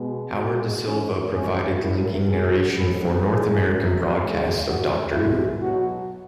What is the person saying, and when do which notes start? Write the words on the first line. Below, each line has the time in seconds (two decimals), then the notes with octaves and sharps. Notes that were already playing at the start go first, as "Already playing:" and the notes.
Howard Da Silva provided linking narration for North American broadcasts of Doctor Who.
Already playing: B2 G#3
0.36 B2 G#3 F#4
0.85 G#2 E3 G#3 C#4
1.33 G#2 E3 G#3 C#4
1.80 F#2 F#3 E4
2.28 B2 F#3 G#4
2.75 G#2 F#3 B4
3.23 G#2 E3 G#3 G#4
3.71 F#2 F#3
4.19 E2 C#3 E3 G#3
4.66 F#2 C#3 G#3 F#4
5.14 B2 G#3 E4
5.62 B2 F#3 F#4